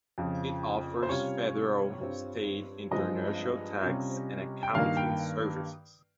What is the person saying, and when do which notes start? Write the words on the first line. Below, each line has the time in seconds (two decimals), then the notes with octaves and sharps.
It offers federal, state, international tax and accounting services.
0.18 F2 C#3 F3
1.03 C5
1.09 C3 G3 C#4 F4 C#5
2.00 G2 G3 C4 F4
2.91 G2 F3 G#3 C4 D#4 D#5
3.83 C3 G3 C#4 F4
4.63 G5
4.74 G2 D#3 A#3 F5
4.97 G5